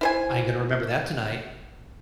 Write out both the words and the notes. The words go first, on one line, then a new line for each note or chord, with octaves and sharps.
I ain't gonna remember that tonight."
E4 C5 G#5